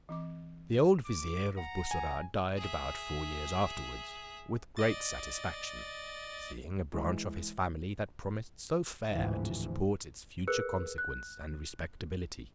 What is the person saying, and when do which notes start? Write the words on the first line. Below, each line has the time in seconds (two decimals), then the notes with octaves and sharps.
The old vizier of Bussorah died about four years afterwards with great satisfaction, seeing a. branch of his family that promised so fair to support its future consequence and respectability.
0.09 E3 C4 D6
1.05 D6
1.58 F#5 A#5
1.91 G#5
2.56 G#4 E5
4.77 D5 D#5 A6
6.92 E3 G#3 E4
9.11 A1 D2 G#2 C3 E3 F3
10.48 G#4 A#4 B4 E6 F#6 C#7
10.98 F#6